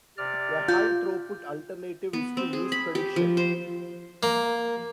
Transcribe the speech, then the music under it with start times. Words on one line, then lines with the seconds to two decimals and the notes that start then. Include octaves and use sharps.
A high throughput alternative is to use prediction.
0.18 C3 D5 F6
0.68 F4 G6
2.13 B3
2.37 C4
2.53 G#4
2.72 B5
2.95 G4
3.16 F3
3.37 C5
4.23 A#3